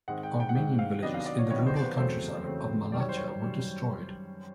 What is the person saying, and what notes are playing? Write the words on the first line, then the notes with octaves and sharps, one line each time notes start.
Armenian villages in the rural countryside of Malatya were destroyed.
G#2 D#3 G#3 C4 F#5
G5
G5
F#5
G#2 D#3 G#3 C4 G5
F5
C3 D#3 F#3 B3 D4 D#5
F5
D5
C#5
C3 D#3 F#3 B3 D4 C#5
C5
C5
B4
E2 C#3 F#3 A3 C4 C5
E2 C#3 F#3 A3 C4
F#2 D#3 G3 D5
C#5
C5
C#5
F#2 D#3 G3